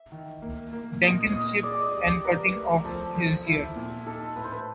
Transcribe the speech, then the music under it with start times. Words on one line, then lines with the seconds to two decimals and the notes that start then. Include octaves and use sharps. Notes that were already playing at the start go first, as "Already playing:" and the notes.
Jenkin's ship and cutting off his Ear.
Already playing: E5
0.12 D#3
0.42 A#3
0.73 A#3
1.03 A#2 D#5
1.33 A#2 D#5
1.63 G#4 D5
1.80 D5 D#5
1.94 G3
2.04 D5
2.24 A#4 B4
2.55 A3
2.85 F3 A4
3.15 F3
3.46 E4
3.76 A#2
4.06 D#4 A4
4.36 A2 B4
4.44 C5
4.52 B4